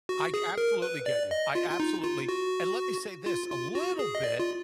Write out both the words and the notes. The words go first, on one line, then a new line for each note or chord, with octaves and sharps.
I ge I absolutely get you I absolutely and let me say this a little bit
F#4
G#4
A#4
B4
D5
D#5
F4
F4
D#4
F4
F#4
F4
F4
F#4
G#4
D#5
D5
F4